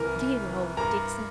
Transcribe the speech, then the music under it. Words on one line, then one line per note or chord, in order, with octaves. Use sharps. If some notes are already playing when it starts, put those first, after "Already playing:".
'Dear old Dixon!
Already playing: C2 E3 A#4 A#5
E3
E3
G2 A#4 A#5